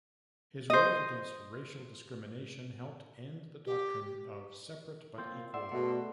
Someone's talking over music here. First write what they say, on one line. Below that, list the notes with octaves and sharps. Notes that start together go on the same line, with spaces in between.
His work against racial discrimination helped end the doctrine of separate but equal.
C5 D#5
G4
A#3 C4 F4 C6 G6
D5 E5 F#5 C6
B2 A3 G#4 A4 E5 F#5